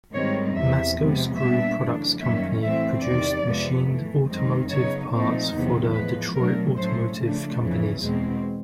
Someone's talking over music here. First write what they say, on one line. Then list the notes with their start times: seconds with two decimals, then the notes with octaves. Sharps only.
Masco Screw Products Company produced machined automotive parts for the Detroit automotive companies.
0.13 G#2 D#3 G3 C4 D#4 C#5
0.55 E2 C3 E3 E5
0.96 C3 F3 G#3 B3
1.37 A#2 G3 B3 D4 E5
1.79 F#2 C#3 E3 A3 D4
2.20 F#2 D#3 G3 A#3 C#4 E5
2.62 A2 E3 A3 C4 E5
3.03 E2 C3 D#3 D5
3.44 F2 C3 F3 G#3 B3
3.86 A2 E3 A3
4.28 F#2 D#3 G#3 C4 D#4
4.69 C#3 F#3 B3 D#4 C#5
5.11 A#2 F3 A3 C4 D#4
5.52 E2 C3 D#3 F#3 B3
5.93 A2 F3 G#3 B3 B4
6.35 B2 F#3 A3 D4 A#4
6.76 A2 F#3 A3 C#4 C5
7.18 C#3 F3 A3 D4
7.59 F2 C#3 E3
8.01 E2 B2 G#3 C4